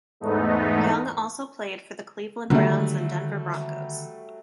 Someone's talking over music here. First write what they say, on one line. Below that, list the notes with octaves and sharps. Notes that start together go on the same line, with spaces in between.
Young also played for the Cleveland Browns and Denver Broncos.
E2 G#2 A3 B3 D#4
D3 D#3 F#3 G3 A3